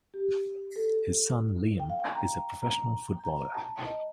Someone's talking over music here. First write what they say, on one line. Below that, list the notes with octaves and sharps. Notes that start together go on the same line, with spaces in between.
His son, Liam, is a professional footballer.
G4
A4
G5
F5
G5
A#5
A#5
A#5
A5
D#5